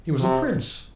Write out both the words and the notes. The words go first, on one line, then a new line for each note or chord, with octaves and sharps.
"He was a prince!"
C3